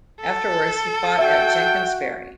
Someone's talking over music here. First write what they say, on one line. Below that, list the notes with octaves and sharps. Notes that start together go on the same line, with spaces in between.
Afterwards he fought at Jenkin's Ferry.
A4
F#4 E5 G5